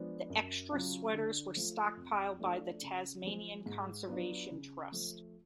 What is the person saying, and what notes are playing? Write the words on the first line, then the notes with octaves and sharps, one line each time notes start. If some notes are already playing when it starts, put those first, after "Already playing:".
The extra sweaters were stockpiled by the Tasmanian Conservation Trust.
Already playing: F3 G#3 B3 D4
F#2
C#3 F#3 C#4 F4
D3
F3 A3 F4
F2
F3 A3 D4
C#3
F3 G#3
G#2
F#3 B3 D4 F4
C#3
F3 A3